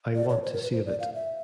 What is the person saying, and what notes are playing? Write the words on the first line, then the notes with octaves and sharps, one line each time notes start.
I want to save it.
D5
C#5
C5
A#4
B4
C5
D5
F5
E5